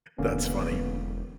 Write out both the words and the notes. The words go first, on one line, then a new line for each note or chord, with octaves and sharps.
That's funny.
E1 D3 A#3 B3 C#4